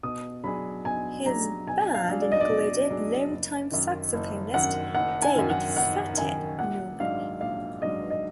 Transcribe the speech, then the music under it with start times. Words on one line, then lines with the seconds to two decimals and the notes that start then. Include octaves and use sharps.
His band included longtime saxophonist David "Fathead" Newman.
0.03 B2 D#6
0.44 F#3 D4 G#4 B5
0.85 B2 G#5
1.26 F#3 D4 G#4 A#5
1.67 B2 G#5
1.94 F5
2.08 F#3 D4 G#4
2.21 D5
2.32 D#5
2.40 D5
2.49 B2
2.90 F#3 D4 G#4
3.31 F#1
3.72 F#2 D#3
4.13 F#1
4.54 F#2 D#3 F#5
4.95 F#1 F#5
5.22 G#5
5.36 F#2 D#3
5.50 F#5
5.77 F#1 F#5
6.18 F#2 D#3 G#5
6.59 A#1 F#5
7.00 G#2 F#3 D4 F5
7.41 A#1 F5
7.82 G#2 F#3 D4 D#5
8.10 D#5